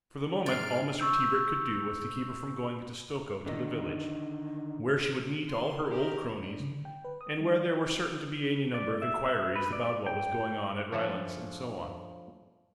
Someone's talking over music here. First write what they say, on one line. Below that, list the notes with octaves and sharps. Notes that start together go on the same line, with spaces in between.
For the moment all Mr. Tebrick could do was to keep her from going into Stokoe to the village, where she would meet all her old cronies and where there were certain to be any number of inquiries about what was going on at Rylands and so on.
G#2 F6 A6 C7 D7
C#6 E6 G6
D3 D#3 D#4
C6
G4 A#4
D4
C#3
D3
G5
B4
D#6
G3
D5
D5
E5
E5
B4
D5
G5
F3 D4 A4 C#5 E5 G#5